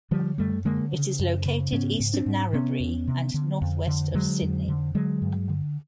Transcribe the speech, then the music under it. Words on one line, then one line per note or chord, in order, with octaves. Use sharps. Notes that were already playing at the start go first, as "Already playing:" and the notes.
It is located east of Narrabri and northwest of Sydney.
D3 F3 G3
F#2 G3 A3
D3 G#3 A#3
C#3
F#2
C#3
G#2 B3 C#4
G#2
C4 D4
G#2
C3 B3 C#4
E2
C3
D3
F2
D3
D3 F#3 G#3
F2
D3
D3 F#3 G#3
G2
D3